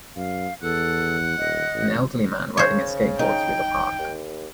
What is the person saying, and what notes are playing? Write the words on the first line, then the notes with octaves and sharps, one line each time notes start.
An elderly man riding a skateboard through the park.
F#2 F5
E2 A4 F#5
D#1 D#5
A1
C#3 C5 C#5
D#4 G5
D#2